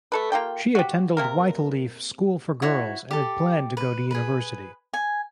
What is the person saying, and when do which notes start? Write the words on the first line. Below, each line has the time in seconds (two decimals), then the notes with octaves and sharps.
She attended Whyteleafe School for Girls and had planned to go to university.
0.12 A3 A4 B4
0.32 A#3 F4 G4 G5
0.75 F#4 G4
1.17 C3 A#3 A#4
2.62 E4 F#4 C#5
3.11 G4 A4
3.77 B4
4.11 G#4 B4
4.93 G#5